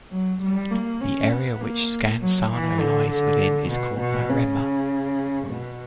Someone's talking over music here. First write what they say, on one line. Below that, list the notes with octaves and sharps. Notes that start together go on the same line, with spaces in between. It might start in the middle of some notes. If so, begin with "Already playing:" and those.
The area which Scansano lies within is called Maremma.
F#3
G3
A#3
C#4
B3
A#3
F#3
E3
D3
D3
B2
B2
C#3
B2